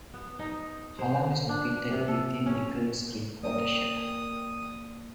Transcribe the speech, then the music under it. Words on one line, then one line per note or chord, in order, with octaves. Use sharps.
Hallam is located within the Kreutz Creek watershed.
B3
D#4
C5
D4
C3
A4
C#4
A#3 A#4 D5 G5 D#6